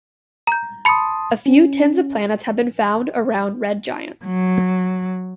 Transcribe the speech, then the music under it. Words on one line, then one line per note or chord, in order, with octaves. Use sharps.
A few tens of planets have been found around red giants.
A#5 G6
A5 B5 C6 D#6 C#7
C#4
F#3